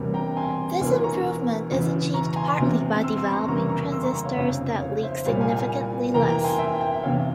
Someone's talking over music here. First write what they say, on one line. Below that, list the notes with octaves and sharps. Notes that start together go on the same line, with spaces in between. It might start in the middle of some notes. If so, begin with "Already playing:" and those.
This improvement is achieved partly by developing transistors that leak significantly less.
Already playing: E1 E2 C3 G3 A#3
G5 A#5
G#5 C6
E1 E2 E3 A#3 G#5 C6
A#5 C#6
E1 E2 C#3 E3
A#5 C#6
G#5 C6
E1 E2 C3
C6 E6
C6 E6
A#5 C#6
F1 E2 C#3 G3 A#3 A#5 C#6
A#5 C#6
C6 E6
A#5 C#6
A#5 C#6
C#5 F5
F1 F2 C#3 C#5 F5
C#5 F5
C5 E5
C2 A#2 G3 C#5 F5
F5 G#5
F5 G#5
F1 E2 E3 A#3 G5 A#5
G5 A#5
G#5 C6
E5 G5
E5 G5
F1 E2 C3 C#5 F5